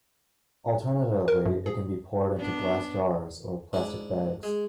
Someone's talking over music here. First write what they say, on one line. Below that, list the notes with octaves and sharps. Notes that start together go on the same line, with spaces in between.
Alternatively it can be poured into glass jars or plastic bags.
A#4
F#2
G#4
B3 D4
G#2 D4 E4
G#3 G#4